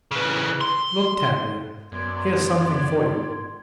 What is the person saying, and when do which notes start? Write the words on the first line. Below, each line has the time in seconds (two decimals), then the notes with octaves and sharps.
Look, Tanya, here's something for you!
0.11 C#3 E3
0.61 C6
1.92 F#2 B3 D5 C6 G#6